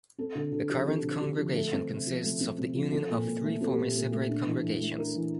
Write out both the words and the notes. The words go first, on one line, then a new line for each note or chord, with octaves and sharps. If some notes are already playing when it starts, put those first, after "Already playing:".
The current congregation consists of the union of three former separate congregations.
C4 A4
D3 A4
D3 A4
F3 G4
C4 A4
D3
D3 G4
F3
A3 A4
C4
C3
F3
A3
C4
C3
F3
C4 A4
A#2
A#2
A3
C4 A4
G4
A#2 A4
A#2
A3
D4
E3
E3
A3
D4 A#4
E3